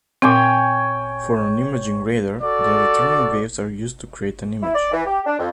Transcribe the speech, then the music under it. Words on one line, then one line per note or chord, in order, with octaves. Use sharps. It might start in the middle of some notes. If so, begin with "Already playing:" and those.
For an imaging radar, the returning waves are used to create an image.
A#2 C4 C#5 G5 G#5
F#4 A4 D5
E4
D5
E3
G4
D4
F2